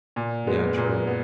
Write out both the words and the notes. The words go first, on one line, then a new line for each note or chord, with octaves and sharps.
Yeah. True.
A#2
G#3 B3
A#2
B3